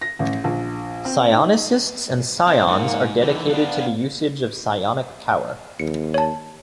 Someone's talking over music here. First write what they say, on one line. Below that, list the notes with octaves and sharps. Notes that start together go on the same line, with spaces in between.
Psionicists and Psions are dedicated to the usage of psionic power.
A#6
A1
A#1
C4
D#4
C4
G#2 A#3 F#5
D3 E3 D#4 G4
B3 D4 F5
D#2 C#7
C#5 A5